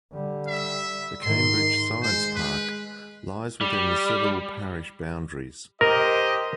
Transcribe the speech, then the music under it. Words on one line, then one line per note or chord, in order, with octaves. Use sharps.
The Cambridge Science Park lies within the civil parish boundaries.
D3 G3
E5
G#2 D#3 C6
G#3 C5
B4
G3
G4 A#4 C5 D#5